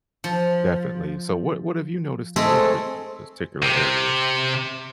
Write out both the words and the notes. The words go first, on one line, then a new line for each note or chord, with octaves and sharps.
Definitely. So, what what have you noticed in your par particular area?
F3
G#3 A3 C4 G#4 A4
C3